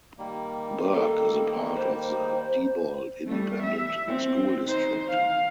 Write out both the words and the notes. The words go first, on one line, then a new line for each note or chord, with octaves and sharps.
Burke is a part of the Diboll Independent School District.
D#3 G3 A#3
A4
C5
G3 A3
E5
C4
D#4 C5
F5